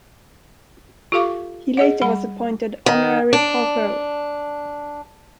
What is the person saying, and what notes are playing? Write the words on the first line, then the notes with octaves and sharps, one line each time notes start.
He later was appointed honorary corporal.
F4 G4 A4 F5 C#6 D6
G#4 D#5 F#5
G3 F#5 B5
D#3
D4